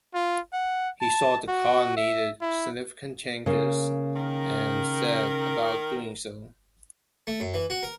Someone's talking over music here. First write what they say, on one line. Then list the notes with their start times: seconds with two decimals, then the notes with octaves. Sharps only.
He saw the car needed significant changes, and set about doing so.
0.15 F4
0.53 F#5
1.01 A5
1.49 F#4
1.97 E5
2.41 E4
3.46 C#3 A#3
4.16 D#3 A#4
7.27 A3
7.40 F#2
7.54 E3
7.70 F#4
7.83 A#4